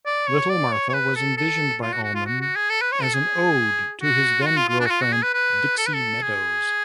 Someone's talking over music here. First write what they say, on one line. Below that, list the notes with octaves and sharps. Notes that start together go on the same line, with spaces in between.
Little Martha was envisioned by Allman as an ode to his then-girlfriend Dixie Meadows.
D5
C#5
D5
C#5
C#5
B4
A4
A4
F4
F#4
F#4
F4
F#4
F#4
G#4
A4
B4
C#5
A4
G#4
F#4
F4
F#4
F4
F4
D4
F#4
F4
F#4
G#4
B4
B4
A4
B4
A4
G#4